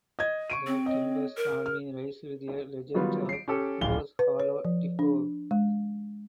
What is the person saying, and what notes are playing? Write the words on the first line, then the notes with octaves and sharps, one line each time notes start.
The Timbers Army raised their "Legends of Goose Hollow" tifo.
D#5 G#6
C#6 D7 D#7
C4
C#5 D#5
A#4
F6
D#3 F#3 G3 B3 F4
C7 D7
C#4 G4 A4
D1 A#1 F5 G7
B4
C#5
F3
D4
G#3